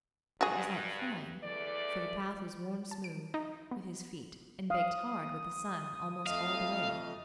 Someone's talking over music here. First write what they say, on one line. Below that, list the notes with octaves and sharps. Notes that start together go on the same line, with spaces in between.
It was like flying, for the path was worn smooth with his feet and baked hard with the sun almost all the way.
G2 F#4 G#4
E2 A3 D5
A5
D7
D#4
B3
F5 D#6
F2 A3 D#5 F5